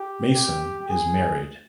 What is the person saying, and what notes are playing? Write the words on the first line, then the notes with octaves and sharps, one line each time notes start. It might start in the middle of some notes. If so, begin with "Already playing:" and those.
Mason is married.
Already playing: G4
G4
G#4